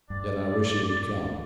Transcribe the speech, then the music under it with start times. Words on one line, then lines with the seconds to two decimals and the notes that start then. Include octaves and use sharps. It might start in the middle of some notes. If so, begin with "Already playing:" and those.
Yet I wish he would come.
0.10 G2 D5